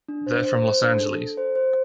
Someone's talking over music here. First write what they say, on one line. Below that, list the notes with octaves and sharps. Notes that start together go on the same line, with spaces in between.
They're from Los Angeles.
D4
C5
C5
C5
D4
A4
A4
C5
C5